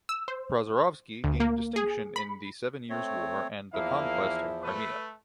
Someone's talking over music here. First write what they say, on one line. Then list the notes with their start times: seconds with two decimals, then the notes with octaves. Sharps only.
Prozorovsky gained distinction in the Seven Years' War and the conquest of Crimea.
0.09 E6
0.28 C5
1.24 D2
1.40 A#3
1.76 G#4
2.16 B5
2.90 A3 C4 C#5
3.74 E2 F3 A#3 E4 F5
4.64 A3 B4